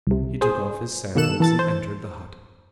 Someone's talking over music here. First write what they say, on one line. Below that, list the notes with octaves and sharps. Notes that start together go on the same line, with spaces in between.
He took off his sandals and entered the hut.
C2 C3
G#4 C5
B2 D#3 A#3 A4 F#6 E7
E3 A4 A6
C5